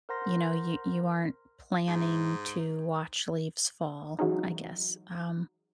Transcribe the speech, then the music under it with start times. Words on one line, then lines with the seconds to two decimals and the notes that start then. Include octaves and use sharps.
you know, you you aren't planning to watch leaves fall, I guess, um.
0.09 A#4 C5 F#5 A#5 C6 A#6
1.88 G#2
4.19 E3 F#3 G#3 C#4 D#4